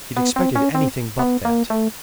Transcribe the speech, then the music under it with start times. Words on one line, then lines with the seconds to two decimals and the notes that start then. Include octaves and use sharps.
He had expected anything but that.
0.17 B3
0.36 C4
0.56 C#4
0.75 C4
1.19 B3
1.45 A#3
1.70 A3